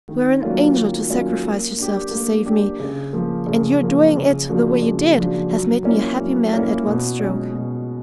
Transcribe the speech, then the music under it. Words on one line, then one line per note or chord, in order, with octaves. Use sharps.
You were an angel to sacrifice yourself to save me, and your doing it the way you did has made me a happy man at one stroke.
D#3
F#3 A#3 C#4 F4
D#3
F#3 A#3 C#4 F4
A#3
D4 G4
A#3
D4 G4
C#3
F3 A#3
C#3
F3 A#3
C#3
F3 A#3 D4 F#4
C#3
F3 A#3 D4 F#4
F#3
A#3 C#4 E4
F#3
A#3 C#4 E4
B2
G#3 C#4
B2